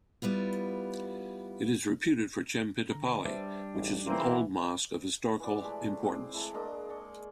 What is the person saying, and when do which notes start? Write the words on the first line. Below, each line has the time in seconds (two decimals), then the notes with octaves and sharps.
It is reputed for Chempittapally which is an old Mosque of historical importance.
0.22 G3 B3 E4 F4
2.91 D3 A#5
3.25 G3 D4 B4 C5 E5
3.75 A1 D#4 G#4
4.07 E3 A#3 C4
5.40 E3 F#4 D5
5.61 G#3 A3 G4 C5
6.03 G#3 C4
6.34 G#3 A3 E4
6.54 G#3 A#3 D4 D#5
6.89 D5 C6 C#6